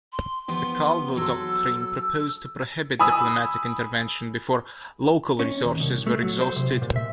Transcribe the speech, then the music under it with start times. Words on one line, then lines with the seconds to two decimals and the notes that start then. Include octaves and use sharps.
The Calvo Doctrine proposed to prohibit diplomatic intervention before local resources were exhausted.
0.12 C6
0.48 F3 B3 G4 C6
1.17 F#3 A4 E6
2.99 G#5 B5 D#6 E6
5.39 C#4
5.65 D#2
5.80 C2
6.07 A3
6.22 F#3
6.41 C5
6.56 C3
6.82 A#2
6.96 E5